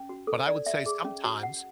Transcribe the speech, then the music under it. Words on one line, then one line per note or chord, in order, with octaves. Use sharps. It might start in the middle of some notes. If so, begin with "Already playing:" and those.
but I would say sometimes
Already playing: C#4
F#4
A4
D5
E5
G#4
C#4
F#4
F#5